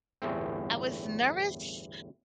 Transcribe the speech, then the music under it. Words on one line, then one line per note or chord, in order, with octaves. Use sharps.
I was nervous
G1 E2 A2 C4